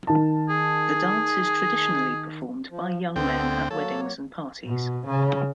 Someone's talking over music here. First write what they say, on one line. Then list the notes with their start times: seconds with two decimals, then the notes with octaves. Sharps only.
The dance is traditionally performed by young men at weddings and parties.
0.07 D#3 A5
0.49 G#4
2.70 F3
3.16 D2 B3 C4 A4 G5
3.71 F#3 A#3 A4 C#5
4.66 B2
5.06 C#3